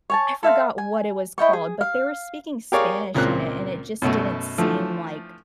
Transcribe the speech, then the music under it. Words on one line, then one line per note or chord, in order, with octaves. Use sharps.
I forgot what it was called, but they were speaking Spanish in it, and it just didn't seem, like,
C#5 G#5 A5
A4 E5 F5 C6
G#5
E4 D#5 G5 C#6
G#4
F5
G4 G#4 A#4 C#5 D5 F5
C#2 A#2 A#3 C4 F#6
F#2 B2 A3
D3 E3 F3 A3